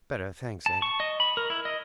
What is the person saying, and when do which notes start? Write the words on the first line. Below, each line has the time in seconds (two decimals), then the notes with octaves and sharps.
"Better, thanks, Ed."
0.66 A5
0.82 C#6
1.00 D#5
1.20 B5
1.37 A#4
1.50 E4
1.65 D#5